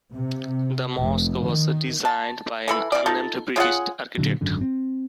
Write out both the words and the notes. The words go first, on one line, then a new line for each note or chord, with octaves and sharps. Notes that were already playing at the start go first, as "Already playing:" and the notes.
The mosque was designed by an unnamed British architect.
C3
F1
D#3
A5
E3 A4 B5
E3 D5
D#4 F4 A4
C#3 F4 G#4 F#5
A#2 D3 F#3
G#1 F#2 D3
C4